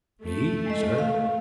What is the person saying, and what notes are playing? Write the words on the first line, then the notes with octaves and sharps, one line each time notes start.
"Me, sir?"
A3
G#3 D#5
F5